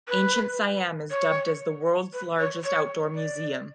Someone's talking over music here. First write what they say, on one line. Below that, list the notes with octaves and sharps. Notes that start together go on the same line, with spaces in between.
Ancient Siam is dubbed as the world's largest outdoor museum.
B4
C#5
B4
C#5
C#5
D5